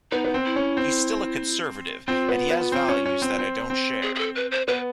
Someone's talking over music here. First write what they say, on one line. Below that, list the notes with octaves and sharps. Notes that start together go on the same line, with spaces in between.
He's still a Conservative and he has values that I don't share.
B3 D#4
B3
C4
E4
C#4
C4
C4 F4
B3
B3
C4
C#4
C#4
C4
C4
C4
G#4
G#4
A4
B4
C5
B3 B4